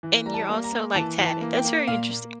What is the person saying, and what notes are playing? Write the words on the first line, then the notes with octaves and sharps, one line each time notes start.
and you're also, like, tatted, that's very interesting.
E3
G3 A#5
A5
A#3
A#5
A#3
E3 A5
E3
A5
A#3
G5
A#3
A#2 F5
A#3